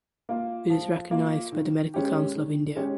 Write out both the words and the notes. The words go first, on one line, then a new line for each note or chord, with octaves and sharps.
It is recognised by the Medical Council of India.
A#3 F4
F3
A#3 F4
D#3
G#3 C#4 G4
D#3
G#3 C#4 G4